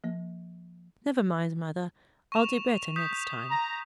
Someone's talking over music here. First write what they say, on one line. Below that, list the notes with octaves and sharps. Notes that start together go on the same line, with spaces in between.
'Never mind, Mother; I'll do better next time.'
F3 A#3
C#6 E7 F7
D#6 G6 B6
A#5